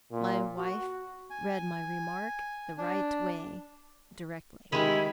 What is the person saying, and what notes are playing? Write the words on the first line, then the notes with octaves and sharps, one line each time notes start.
My wife read my remark the right way directly.
A#2
F#4
G#5
D4
D#3 G#3 D#4 E4 G4 B5